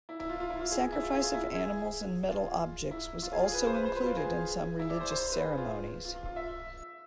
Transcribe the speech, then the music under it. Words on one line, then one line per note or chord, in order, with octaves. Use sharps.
Sacrifice of animals and metal objects was also included in some religious ceremonies.
E4
E4
F4
F4
E4
F4
G#4
E4
F4
G#4
F4
E4
G#4
F4
E4
F4
G#4
F4
G#4
B4
C5
B4
C5
B4
F4
G#4
E4
D5
C5
C5
C5
B4
G#4
F4
F4
F4
F4
E5